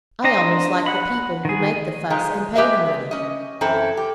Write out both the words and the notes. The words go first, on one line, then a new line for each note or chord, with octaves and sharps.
I almost like the people who make the fuss and pay the money.
D4 C5 D#5 A#5
F#5 B5
D#3 G#4
F3 G#3 D#4
G#3 G4 B4 D#5 E5
C#4 D#5
F#2 E3 C4 E4 A4
G4